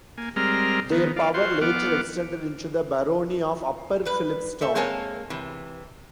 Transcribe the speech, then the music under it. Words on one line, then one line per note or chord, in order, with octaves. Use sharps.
Their power later extended into the barony of Upper Phillipstown.
A#3 G#5
G3 G#3 C4 A#4 A#5 F6
D#3 B3
D5 F5
F4 F#4 C5 C6
F3 B3 F#5 D6 F6
G3 B4
A3 A4 E5
G#3 A#3 C4 C#5 G#5 A5
C3 E3